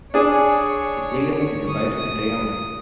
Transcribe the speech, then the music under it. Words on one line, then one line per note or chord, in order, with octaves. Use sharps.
The stadium is about in diameter.
D4 G#4 C#5
D#6